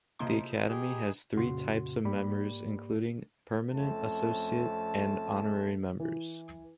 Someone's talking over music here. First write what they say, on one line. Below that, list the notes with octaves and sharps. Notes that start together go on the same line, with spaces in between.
The Academy has three types of members including permanent, associate and honorary members.
C3 F3 A#3 D#4 E4 C6
G4 G#4
F2 A#2 C#3 F#4 C6
G#2 A#3 G4 D5 B5
F2 A3 C4 C#4 A5
E3